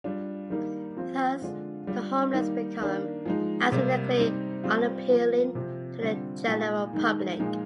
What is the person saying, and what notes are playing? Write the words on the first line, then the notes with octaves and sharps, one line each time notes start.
Thus, the homeless become "aesthetically unappealing" to the general public.
G3 D4 F4
D#3 G3 A#3 D#4
F3 C4 F4
D3 G#3 D4 F4
G3 D4 F4
D#3 G3 A#3 D#4
D#3 A#3 D4
F3 G#3 D#4
C3 G3 A#3
G3 C4 D#4
G3 C4 F4
F3 A#3 F4
C3 F3 C4
D3 G3 C4 F4
A#2 G#3 D#4
D#3 G#3 D#4
A#2 F3 G#3 D#4